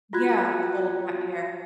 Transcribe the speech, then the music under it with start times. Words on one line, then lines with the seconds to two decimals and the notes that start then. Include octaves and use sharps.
Yeah, cold, wet hair.
0.13 F4 F#4 F#6 G#6